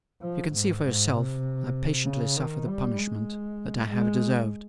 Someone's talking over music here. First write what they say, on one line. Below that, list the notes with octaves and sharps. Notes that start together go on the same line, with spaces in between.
"You can see for yourself--I patiently suffer the punishment that I have deserved."
F3
G#2
G#2
C3
C#3
D#3
G3
G#3
G#3